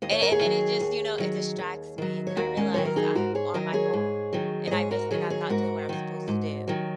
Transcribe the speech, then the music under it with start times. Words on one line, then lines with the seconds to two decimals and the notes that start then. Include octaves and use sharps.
And and then it just, you know, it distracts me, and then I realized I'm on my phone, and I miss and I'm not doing what I'm supposed to do,
0.02 D#2 D#5
0.12 C#5
0.22 A#4
0.32 G#4 C#5
0.41 D#3 F#3
0.80 D#2
1.20 D#3 F#3
1.58 D#2
1.98 D#3 F#3
2.27 C#5
2.37 D#2 F#4 A#4
2.57 G#3 C#4
2.74 D#3 F#3 C#5
2.85 A#4
2.96 D#4 G#4
3.15 G#2 F#4 A#4
3.35 G#4 C#5
3.54 D#3 F#3 A#4 D#5
3.74 G#4 C#5
3.93 G#2
4.33 D#3 F#3
4.67 D#5
4.71 G#2 G#4 C#5
4.91 F#4 A#4
5.11 D#3 F#3 G#4 C#5
5.30 G#4 C#5
5.50 G#2 F#4 A#4
5.89 D#3 F#3
6.28 G#2
6.68 D#3 F#3